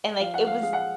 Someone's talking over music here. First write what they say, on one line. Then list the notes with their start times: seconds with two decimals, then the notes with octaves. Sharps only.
And, like, it was
0.21 F3 F5
0.34 F#5
0.46 F5
0.63 G#3 F5
0.73 F#5